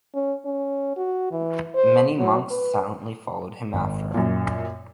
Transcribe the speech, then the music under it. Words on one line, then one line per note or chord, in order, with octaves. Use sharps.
Many monks silently followed him after.
C#4
C#4
F#4
E3
C5
F#3
B4
G#1
F#2 A#2